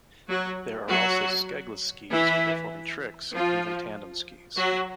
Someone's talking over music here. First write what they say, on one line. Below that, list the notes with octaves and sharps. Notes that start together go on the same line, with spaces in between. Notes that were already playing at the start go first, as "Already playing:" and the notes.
There are also skegless skis for performing tricks, and even tandem skis.
F#3 F#4
F#3 F#4
E3 E4
F3 F4
F#3 F#4